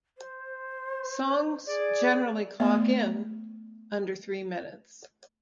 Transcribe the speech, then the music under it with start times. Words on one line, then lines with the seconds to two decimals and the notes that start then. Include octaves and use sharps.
Songs generally clock in under three minutes.
0.18 C5
1.67 G#4 D5
2.60 A3 B3 D5